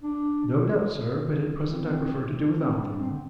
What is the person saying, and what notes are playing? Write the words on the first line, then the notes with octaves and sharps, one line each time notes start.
"No doubt, sir, but at present I prefer to do without them."
D4
C4
B3
C4
C4
D4
C4
D3